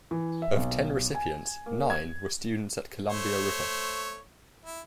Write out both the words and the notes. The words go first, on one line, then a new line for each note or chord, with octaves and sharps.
Of ten recipients, nine were students at Columbia River.
E3
E5
B1
G#5
A#3
G#6
A3 C5 C#5
E4